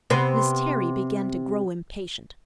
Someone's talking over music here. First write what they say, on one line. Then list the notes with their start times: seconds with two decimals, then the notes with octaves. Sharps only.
Miss Terry began to grow impatient.
0.10 C3 B3 C4